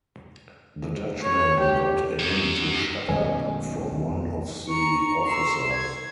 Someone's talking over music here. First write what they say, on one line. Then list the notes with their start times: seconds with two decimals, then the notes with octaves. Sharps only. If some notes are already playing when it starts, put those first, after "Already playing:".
The Dutchman got a hint to ‘shut up’ from one of the officers.
1.23 C#5
1.60 G4
2.19 F#2
3.09 B1 F#2 D#3 G#3 A3 G#5
4.68 A#5 C#6 C#7
5.25 C6 E6
5.72 G#6